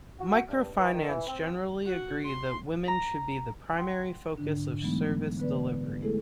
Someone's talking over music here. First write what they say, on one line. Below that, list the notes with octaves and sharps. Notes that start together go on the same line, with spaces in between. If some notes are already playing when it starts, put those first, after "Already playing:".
Microfinance generally agree that women should be the primary focus of service delivery.
F#4
G2
E3
D#3
E3
C4
F#4
C6
A#5
F#5 G5 C6
G#2 D3 D4
E3 F#3 G#3 A3 B3 D#4
D3 B3 B4 D5
G#3 A3 E4 G#4 A4